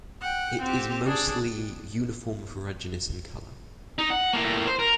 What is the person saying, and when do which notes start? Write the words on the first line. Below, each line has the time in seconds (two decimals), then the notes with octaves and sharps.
It is mostly uniform ferruginous in color.
0.21 F#5 G5
0.62 C4 G4
1.05 D4 G#4
3.99 D#4
4.10 F#5
4.33 A2 A#3
4.67 C5
4.79 A#4